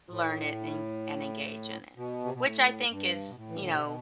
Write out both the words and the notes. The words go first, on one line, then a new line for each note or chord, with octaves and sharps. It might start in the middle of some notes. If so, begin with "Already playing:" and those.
learn it and and engage in it, which I think is, you know
A2
B2
C3
B2
A2
G2
B2
A2
E3
D3
C3
B2